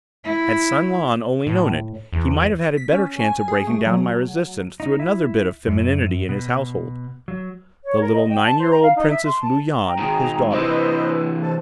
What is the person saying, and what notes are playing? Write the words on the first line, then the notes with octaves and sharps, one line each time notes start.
Had San-Lan only known it, he might have had a better chance of breaking down my resistance through another bit of femininity in his household, the little nine-year-old Princess Lu-Yan, his daughter.
E4
A2
E2
B6
C#4
G#5
G#4
A3
F#3
D#4
E4
F#2
B2
F#3
C#5
A#4
D#5
G5
A5
C5
A#5
F5
D#4
E5
C6
A5
G5 A#5
G#2 D#3 G#4
C3 E3 B4 C5 D#5 B5 E6
A4 C5 A5